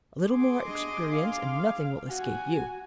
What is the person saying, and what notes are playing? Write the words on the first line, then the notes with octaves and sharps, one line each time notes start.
A little more experience, and nothing will escape you.
G#4 C6 D6
D4 D#5
F5
F#4 G#5